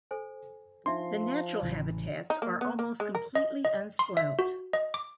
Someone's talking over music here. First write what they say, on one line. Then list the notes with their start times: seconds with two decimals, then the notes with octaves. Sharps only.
The natural habitats are almost completely unspoilt.
0.11 A4 C5 G#5
0.86 F3 D4 D#4 E5 C6
1.63 A1 C#3 E3
2.30 D#4
2.42 A#3
2.61 B3
2.79 A#3
3.00 G#3
3.15 A#4
3.35 D#5
3.65 D#5
3.99 C6
4.17 E5
4.39 F#4
4.73 D#5
4.94 D6